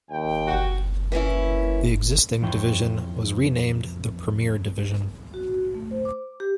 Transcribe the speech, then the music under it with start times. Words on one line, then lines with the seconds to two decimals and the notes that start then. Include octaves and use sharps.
The existing division was renamed the Premier Division.
0.11 D#2 G5
0.46 F#4
1.12 E3 A#3 C#4 E4
2.42 F2 E3 F4 C#5 G5
5.34 F#4
5.74 A3
5.91 C5
6.05 D6
6.40 G4